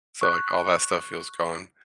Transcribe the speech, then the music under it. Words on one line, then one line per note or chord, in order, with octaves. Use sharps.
So, like, all that stuff feels gone.
C#6 F#6